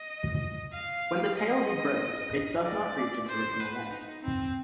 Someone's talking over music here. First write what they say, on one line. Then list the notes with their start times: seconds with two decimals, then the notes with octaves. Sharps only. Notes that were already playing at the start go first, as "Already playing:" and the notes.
While the tail regrows, it does not reach its original length.
Already playing: D#5
0.72 F5
1.36 D#5
2.63 D5
3.28 C5
3.60 B4
3.90 D#4
4.23 C4